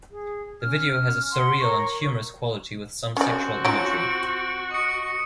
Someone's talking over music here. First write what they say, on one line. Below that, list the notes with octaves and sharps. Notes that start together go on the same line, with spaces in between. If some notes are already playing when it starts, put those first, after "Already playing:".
The video has a surreal and humorous quality with some sexual imagery.
G#4
C#4 F6
F#5 C6
A#4 C#5 A#5 C#6
C4 C#4 F#4 D5
F3 C#4 D#4 D7
D#5 C#6 C#7